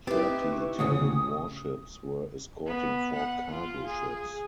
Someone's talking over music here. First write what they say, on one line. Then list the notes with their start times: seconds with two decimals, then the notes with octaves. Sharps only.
Thirty Italian warships were escorting four cargo ships.
0.07 C4 D#4 E4 G4 B4
0.53 C#6
0.79 D2 A2 C#3 D#6
2.67 B3
3.15 F#5
3.51 F4
3.86 G#4